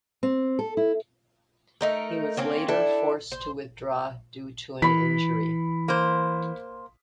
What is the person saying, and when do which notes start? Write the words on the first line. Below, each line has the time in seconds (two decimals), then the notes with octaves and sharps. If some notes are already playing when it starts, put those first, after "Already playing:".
He was later forced to withdraw due to an injury.
0.23 C4
0.59 A4
0.77 E4
1.81 A3 D#4 A#4
2.37 A#3 C4 C#4
2.68 D4 E4 A4
3.32 C5
4.82 E3 B5 B6
5.88 A#3 C5